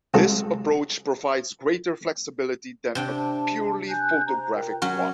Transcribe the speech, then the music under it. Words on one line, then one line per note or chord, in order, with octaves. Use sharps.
This approach provides greater flexibility than a purely photographic one.
C2 F#3 G#3 A4
C3 D4 G5
A5
G#5 F#6 G6
C5 A#5
F4 A#4 G5
F#3 C#4 F#4 A#4